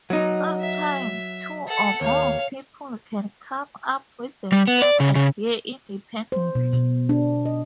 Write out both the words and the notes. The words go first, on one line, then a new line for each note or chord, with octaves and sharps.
Sometimes, two or more people can come up with the same idea independently.
F#3 D#4
E5
A4 F#5
D#2 C#5 F5
G3
B3
D5
C#3
C#3
C5
B2
B2
D4
D#5